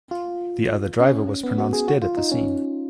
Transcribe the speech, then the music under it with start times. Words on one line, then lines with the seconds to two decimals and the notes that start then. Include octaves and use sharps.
The other driver was pronounced dead at the scene.
0.11 F4
1.00 C#4
1.44 B3
1.58 F#4
1.73 G#4
1.88 F#4
2.02 F4
2.17 D#4
2.32 C#4